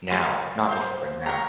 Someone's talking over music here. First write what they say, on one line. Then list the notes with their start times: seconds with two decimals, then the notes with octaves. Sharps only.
Now. Not before, but now.
0.11 A#4 F5 C6
0.69 C5 F5 C6
1.26 A#4 C#5 G5 A#5